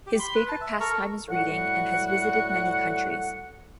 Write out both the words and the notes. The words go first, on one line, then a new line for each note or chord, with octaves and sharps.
His favourite pastime is reading and has visited many countries.
G4
B5 C6
B4
A5
E5
A4 A#4 A#5 C#6
A2 G3 F#4 F#5